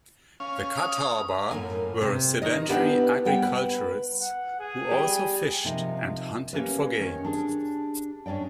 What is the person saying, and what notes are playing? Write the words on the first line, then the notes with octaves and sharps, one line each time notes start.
The Catawba were sedentary agriculturists, who also fished and hunted for game.
C#4 F5
D#6
F#2 A2 A#3 G#5
C3
D#3 D#5
B3 D4 E4 G4 B4
G3 B3 G5
B4
F#5
G#4
G4 D5 G5
C3 F3 D#4 A#4
A#3 C#4 G4 A#4 B4
D#3 C#4
D4 G4 G#4
G#2 C#4 D4 D5 G5